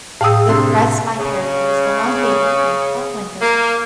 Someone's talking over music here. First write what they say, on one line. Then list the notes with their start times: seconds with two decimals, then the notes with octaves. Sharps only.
The presbytery was elongated and tall windows added.
0.21 A2 G#4 F5 G5 D#6 E6
0.49 C3 D4 C6
1.19 C#3
3.41 A#3